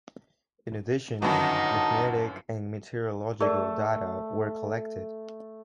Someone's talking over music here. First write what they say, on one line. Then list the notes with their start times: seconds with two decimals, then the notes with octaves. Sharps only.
In addition, magnetic and meteorological data were collected.
1.22 G1 F#2 D#3 D#4 E4 F#4 A5
3.40 A3 G#4 A#4 D5